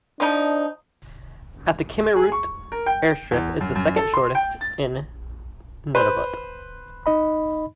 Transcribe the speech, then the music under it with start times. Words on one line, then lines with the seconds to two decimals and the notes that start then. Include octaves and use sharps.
At the Kimmirut airstrip is the second shortest in Nunavut.
0.20 F3 D4 D#4
2.16 G#4
2.32 C#6
2.72 A#4
2.86 G5
3.31 E2
3.61 F#2
3.75 F#2
3.96 A4
4.14 C6
4.35 G5
4.61 A6
5.95 B4 C5
7.06 D#4 D#5 B5